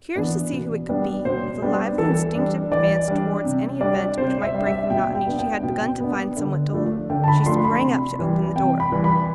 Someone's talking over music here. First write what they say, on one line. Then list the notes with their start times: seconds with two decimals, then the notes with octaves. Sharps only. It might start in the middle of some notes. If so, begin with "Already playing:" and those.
Curious to see who it could be, with a lively instinctive advance towards any event which might break the monotony she had begun to find somewhat dull, she sprang up to open the door.
0.16 E3 B3 D4
0.52 B2
0.89 G3 B3 D4
1.25 B2 C5
1.62 G3 B3 D4
1.98 E3 A4
2.35 G3 D4
2.71 E3 D5
3.08 G3 D4
3.44 C3
3.81 G3 D4 D5
4.18 C3 C5
4.42 E5
4.54 G3 D4
4.66 E5
4.90 B2 G5
5.15 G5
5.27 B3 D4
5.39 G5
5.63 B2 G5
6.00 B3 D4
6.37 D3
6.73 F3 A3 D4
7.10 D3 G5
7.24 A5
7.28 B5
7.46 F3 A3 D4 C6
7.64 B5
7.82 C3
8.19 E3 G3
8.55 C3 G5
8.80 B5
8.92 E3 G3
9.04 B5